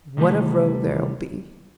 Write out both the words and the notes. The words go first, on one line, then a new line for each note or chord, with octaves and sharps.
What a row there'll be!
C3 D#3 E3 G3 A3